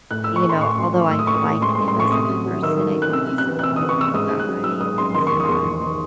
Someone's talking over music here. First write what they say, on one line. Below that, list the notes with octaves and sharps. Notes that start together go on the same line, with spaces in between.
you know, although I like him as a person, I think he's a cool guy, he's not
A2 F#6
A2 E6
C#6
A2 C6
A2 C#6
F#3
A2
A2 E6
D#6
A2 C#6
D#6
A2
G#3 C6
C6
A2
C6
A2 C#6
C3 D#6
F#3
F#3
D#3 E6
F#3
F#3
F#6
C3 E6
C3
F#6
E3
F#6
C3 E6
D#6
E3
C#6
C3 E6
G#2 D#6
G#2
F#6
F#3
F#3 E6
G#2 D#6
F#3 C6
D#3 C6
C#6
E2
D#6
E2 C#6
E2
D#3